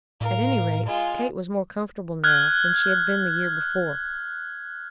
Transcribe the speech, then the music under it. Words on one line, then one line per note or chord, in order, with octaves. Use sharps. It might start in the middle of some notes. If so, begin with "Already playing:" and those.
At any rate, Kate was more comfortable now than she had been the year before.
A2 A#4 F5
G#3 F4
F6 F#6 G#6